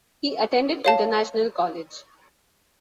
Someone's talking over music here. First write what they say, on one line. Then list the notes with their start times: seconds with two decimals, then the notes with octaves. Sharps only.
He attended International College.
0.85 C#5 F5 A5